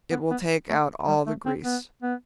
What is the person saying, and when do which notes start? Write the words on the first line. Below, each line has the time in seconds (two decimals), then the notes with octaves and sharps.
It will take out all the grease.
0.11 B3
0.30 B3
0.69 A3
1.07 G3
1.26 A3
1.46 C4
1.64 B3
2.02 B3